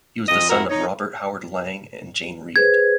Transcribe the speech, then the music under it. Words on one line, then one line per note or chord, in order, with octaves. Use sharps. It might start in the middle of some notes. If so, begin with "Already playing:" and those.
He was the son of Robert Howard Lang and Jane Reid.
F2 D#5
F2 E4 F#4 A#4
D#4 C#5
G#4 B4 C5 G#6